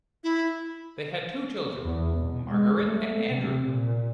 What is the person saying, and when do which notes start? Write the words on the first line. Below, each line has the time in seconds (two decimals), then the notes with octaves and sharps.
They had two children, Margaret and Andrew.
0.24 E4
1.85 E2
2.17 B2
2.49 G#3
2.87 A3
3.27 C3
3.67 A#2